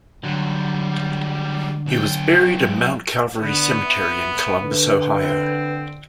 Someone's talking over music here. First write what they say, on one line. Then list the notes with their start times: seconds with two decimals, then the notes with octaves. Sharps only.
He was buried in Mount Calvary Cemetery in Columbus, Ohio.
0.23 D3 F#3 G3
1.87 B1 G5
3.41 D3 B3
3.83 E5
4.61 D3 B4
5.12 C4